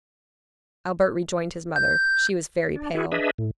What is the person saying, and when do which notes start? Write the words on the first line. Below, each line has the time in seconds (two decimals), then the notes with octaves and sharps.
Albert rejoined his mother; she was very pale.
1.76 G6
2.76 D4
2.95 E4 F#4 G#4
3.12 D4 G#4 B4 D#5 E5
3.38 A2